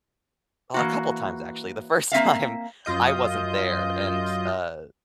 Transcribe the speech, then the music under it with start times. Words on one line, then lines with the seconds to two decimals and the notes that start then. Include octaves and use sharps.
well, a couple times actually- the first time, I wasn't there, and, uh,
0.74 E3 A#3 F#4
2.12 A#3 C4 E5 F5
2.85 F#2 F4 D#5 G6